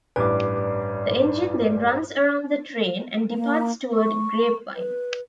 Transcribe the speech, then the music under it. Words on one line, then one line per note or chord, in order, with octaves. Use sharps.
The engine then runs around the train, and departs toward Grapevine.
A1 G2 B4 D5 D6
A#3
C#6
B4